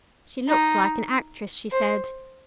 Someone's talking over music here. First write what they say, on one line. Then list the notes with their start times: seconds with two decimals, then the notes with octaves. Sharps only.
"She looks like an actress," she said.
0.48 D#4
1.72 C5